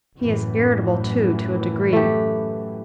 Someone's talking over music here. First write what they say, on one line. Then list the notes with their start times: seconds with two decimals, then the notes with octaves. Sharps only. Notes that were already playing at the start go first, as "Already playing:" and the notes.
He is irritable, too, to a degree.
0.18 F#2 A2 E3
1.93 A3 G4